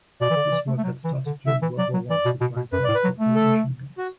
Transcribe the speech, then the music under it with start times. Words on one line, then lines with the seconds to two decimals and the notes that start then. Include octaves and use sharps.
This work had started during World War One supplying parts for Fiat machineguns.
0.21 B2 D5
0.30 E3
0.36 D3
0.52 E3
0.68 A3
0.78 A3
0.84 F#3
1.05 E3
1.26 D3
1.46 D3 E5
1.62 E3
1.78 F#3 D5
1.94 F#3
2.10 E3 D5
2.25 B2
2.41 B2
2.56 B2
2.73 F#2 B4
2.84 A2 D5
2.95 B4
3.04 F#3
3.20 A3
3.35 A4
3.98 F#4